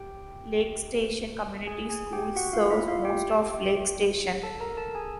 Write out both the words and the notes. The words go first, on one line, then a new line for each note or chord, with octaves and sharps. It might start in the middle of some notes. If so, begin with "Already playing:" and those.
Lake Station Community Schools serves most of Lake Station.
Already playing: G4 G5
G#4 G#5
G#4 G#5
G4 G5
F#4 F#5
F4 F5
E4 E5
F4 F5
G4 G5
A4 A5
A#4 A#5
A4 A5
G#4 G#5